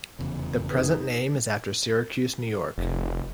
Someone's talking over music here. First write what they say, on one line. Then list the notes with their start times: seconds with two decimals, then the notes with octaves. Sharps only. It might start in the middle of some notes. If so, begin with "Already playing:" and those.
The present name is after Syracuse, New York.
0.19 F1 E2 C#3
0.70 D#4 G#4 B4
2.78 F1